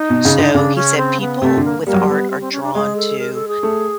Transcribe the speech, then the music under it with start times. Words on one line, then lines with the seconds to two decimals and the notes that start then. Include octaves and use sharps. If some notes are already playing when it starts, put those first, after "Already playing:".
So, he said, "People with art are drawn to
Already playing: D#4
0.10 B2
0.25 C#3
0.38 D3
0.54 C#3 D4
0.76 C#4
0.98 C4
1.21 B3
1.42 C3 A3
1.57 D3
1.64 A#3
1.81 A3
1.86 G3 A#3
1.94 F#3
2.01 G3
2.08 B3
2.30 C4
2.41 C4
2.52 C#4
2.63 D4
2.74 G#3 G#4
2.96 A4
3.19 A#4
3.33 A4
3.48 G#4
3.63 A3